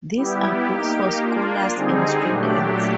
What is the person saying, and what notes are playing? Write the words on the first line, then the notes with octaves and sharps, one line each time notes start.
These are books for scholars and students.
G3 B3 E4 G4
A#3 D#4 G4
A#3 D4 F4
D3 G3 C4 D#4 G#4
A#2 F#3 A3 D4 G4